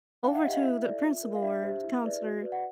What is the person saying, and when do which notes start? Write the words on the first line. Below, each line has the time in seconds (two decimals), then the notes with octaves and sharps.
over to the principal or counselor,
0.24 D#4 F5 G5
0.34 E5 F#5
0.43 G4 C5 D#5 F5
0.53 D#5 F5
0.63 E4 E5
0.83 A4 D5
1.03 F4
1.23 A#4 D5
1.35 F5
1.42 D4 E5
1.63 G4 C5
1.83 E4
2.02 G#4 B4 D5
2.22 F#4
2.42 B4 D5
2.52 F#5